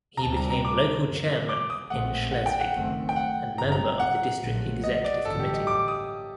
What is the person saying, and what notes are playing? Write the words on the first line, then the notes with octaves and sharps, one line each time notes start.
He became local chairman in Schleswig and member of the district executive committee.
A#5
D2 C3 G3 C4 A5
A#5
A#5
D6
F#2 F#3 A#3
D6
D#6
A#1 A#2 A3 C4 F#5
F#5
G5
F#5
F#1 F#2 D#3 A3 C4
G5
F#5
G1 G2 D3 F#3 C4 A#5
A#5
F#5
A#1 A#2 F#3 A3
D#5
D5
A1 G2 D3 F#3 A4
G4
D#5
D6
D#6